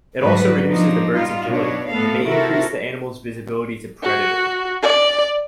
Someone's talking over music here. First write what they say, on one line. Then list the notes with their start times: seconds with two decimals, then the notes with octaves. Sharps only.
It also reduces the bird's agility, and may increase the animal's visibility to predators.
0.21 G#2 D3 F#3 G3 F#4 B4
0.67 B2 F3 D4 D#4
1.13 G3 D#4 F4
1.46 B2 D4 C#5
1.90 A2 B3 A4 F5
2.25 C3 E4 F#4 A4 A#4
4.03 F#4
4.83 D5